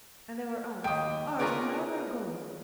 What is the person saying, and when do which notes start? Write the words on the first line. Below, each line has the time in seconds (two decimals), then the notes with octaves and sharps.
"And they were ours, ours! and now they are gone."
0.84 D#2 G#2 G5 D#6
1.39 F4 G#4 A#4 B4 C#5 D5